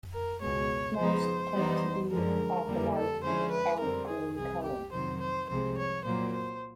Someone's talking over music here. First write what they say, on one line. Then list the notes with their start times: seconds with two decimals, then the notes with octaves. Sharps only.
Most tend to be of a light olive-green color.
0.13 A#4
0.41 C#2 B2 G#3 C#5
0.98 F3 G#3 B3 D#4 C5
1.54 E3 G3 B3 D#4
2.11 F#2 D3 F3 G#3 A#4
2.67 F2 D3 G3 A#3
2.95 A4
3.23 D3 F3 G#3 C#4 E4 C5
3.51 B4
3.80 F2 D3 G3 C4 A#4
4.08 G#4
4.36 C2 C3 E3 G#4
4.64 G4
4.92 F2 C3 D#3 F#3 C5
5.21 C5
5.49 C2 C3 F3 G#3 C5
5.78 C#5
6.05 A#2 F#3 A#3 C5
6.33 C5